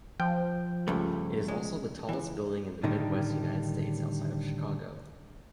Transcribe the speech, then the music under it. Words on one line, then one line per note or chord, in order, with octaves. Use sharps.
It is also the tallest building in the Midwest United States outside of Chicago.
F3 G5
C#2 G2 A3
G#3
C#2 E3
A2 D3 D#3 G3 D#4